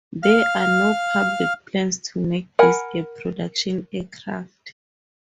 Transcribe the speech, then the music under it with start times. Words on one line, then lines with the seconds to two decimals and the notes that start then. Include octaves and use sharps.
There are no public plans to make this a production aircraft.
0.23 F5 F6
2.59 A#4 F#5 G#5 B5